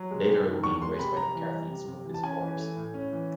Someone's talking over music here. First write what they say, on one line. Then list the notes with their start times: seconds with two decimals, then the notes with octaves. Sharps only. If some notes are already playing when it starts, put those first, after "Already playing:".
Later, it would be embraced by McCarthy and some of his supporters.
Already playing: F#3
0.11 G#3
0.28 C3
0.47 D#3
0.63 E2 C#6
0.81 G#3 C6
0.99 C3 B5
1.17 C3 A#5
1.35 E3
1.52 G3
1.71 C3
1.88 C3
2.05 E3
2.14 A5
2.23 C#4 G#5
2.41 E3
2.59 A3
2.76 A2
2.94 C#4
3.13 E3